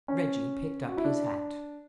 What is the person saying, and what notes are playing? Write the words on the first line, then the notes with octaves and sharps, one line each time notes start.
Reggie picked up his hat.
C#4
F#4
E4
D4